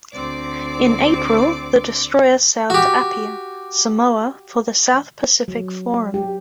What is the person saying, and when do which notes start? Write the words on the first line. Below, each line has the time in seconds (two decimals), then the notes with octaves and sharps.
In April, the destroyer sailed to Apia, Samoa for the South Pacific Forum.
0.12 D2 C4 D5 D6
2.70 F#4 G4
5.48 F#3
6.14 G4